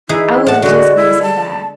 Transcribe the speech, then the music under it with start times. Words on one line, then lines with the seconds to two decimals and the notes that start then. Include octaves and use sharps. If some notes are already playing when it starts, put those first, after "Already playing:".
I was just gonna say that.
0.09 E3 D#4 E4 G#4
0.47 A2 F#5 A5
0.62 D3 G#3 F#4
0.96 E4
1.22 A5